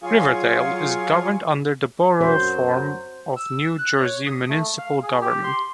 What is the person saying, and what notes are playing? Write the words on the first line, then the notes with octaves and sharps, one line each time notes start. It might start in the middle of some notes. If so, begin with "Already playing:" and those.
Riverdale is governed under the Borough form of New Jersey municipal government.
F#3 F4 G#4 F5 G#5 C#6
F#2 F#3 F#4 C5
E6
F#6
C#5
D#6
A3
F5
G#4
G4
C6